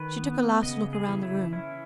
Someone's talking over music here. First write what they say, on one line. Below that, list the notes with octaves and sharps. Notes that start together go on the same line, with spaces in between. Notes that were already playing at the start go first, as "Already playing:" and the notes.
She took a last look round the room.
Already playing: D#3 B4
B3
C#3 D#5
G#4
E3
E4
C#4 E4